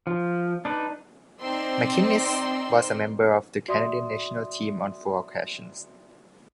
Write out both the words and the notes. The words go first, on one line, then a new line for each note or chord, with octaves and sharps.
MacInnis was a member of the Canadian national team on four occasions.
F3
D4 D#4 B4
C4 D#4 C5 D5 C6 E6
F#4 D5 E5 C6 D#6